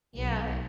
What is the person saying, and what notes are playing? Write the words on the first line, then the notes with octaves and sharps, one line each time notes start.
Yeah, eh
B1